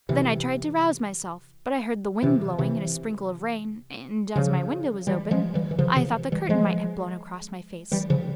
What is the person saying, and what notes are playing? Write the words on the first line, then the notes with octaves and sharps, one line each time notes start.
Then I tried to arouse myself, but I heard the wind blowing and a sprinkle of rain, and, as my window was open, I thought the curtain might have blown across my face.
C3 E3
C3 E3
C3 E3
C#3 F3
E3 G3
F3 G#3
E3 G3
E3
C#3 F3
C3 E3
E3 G3
F3 G#3
E3 G3
C#3 F3